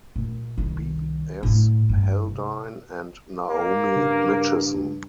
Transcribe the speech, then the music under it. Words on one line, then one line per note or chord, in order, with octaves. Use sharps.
B. S. Haldane and Naomi Mitchison.
A#2
C2 D#3
A2 A#3
G2
C3
A#3
G2 C#3